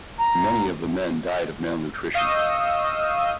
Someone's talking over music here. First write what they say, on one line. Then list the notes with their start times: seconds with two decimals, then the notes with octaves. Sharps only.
Many of the men died of malnutrition.
0.18 A#5
2.14 D#5 F5 C#6 D#6 E6 G6